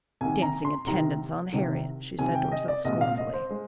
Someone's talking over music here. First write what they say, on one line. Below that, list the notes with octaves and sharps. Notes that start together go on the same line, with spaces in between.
"Dancing attendance on Harriet," she said to herself scornfully.
C2 C3 D#3 G#5
A#5
C6
C2 C3 D#3 A#5
C2 C3 D#3
C2 C3 D#3 G#5
G5
D#5
D5
C2 A#2 G#3 D#5
F5
D#5
C5
G#3